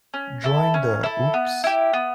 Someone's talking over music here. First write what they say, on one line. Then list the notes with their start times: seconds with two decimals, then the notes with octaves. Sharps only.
During the Oops!...
0.14 C#4
0.44 E4 A4
0.74 C#4
1.03 E4 A4
1.34 B3
1.64 E4 G4
1.93 B3